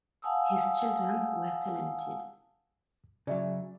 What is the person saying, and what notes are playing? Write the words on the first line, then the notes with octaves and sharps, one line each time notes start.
His children were talented.
F5 F#5 G#5 A5 D#6 E6
C#3 F#3 D5 E5